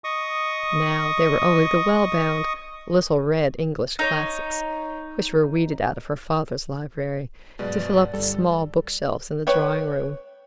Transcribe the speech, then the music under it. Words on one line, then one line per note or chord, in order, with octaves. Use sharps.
Now there were only the well-bound little-read English Classics, which were weeded out of her father's library to fill up the small book-shelves in the drawing-room.
D#5 C#6 D#6
D#4 C#5
G2 B2 F#3 G#3 B4 D5
G1 G3 A4
B4 C#5 E5 G5